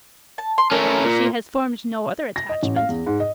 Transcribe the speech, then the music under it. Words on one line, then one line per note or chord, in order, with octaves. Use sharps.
'She has formed no other attachment?'
A5
C6
A3 C#4 A#4
A#2
A#6
D#5
A1
F5
E2
G#2
D#5